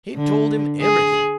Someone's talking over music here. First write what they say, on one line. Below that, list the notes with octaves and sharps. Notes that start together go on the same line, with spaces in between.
He told him everything.
D3
G#4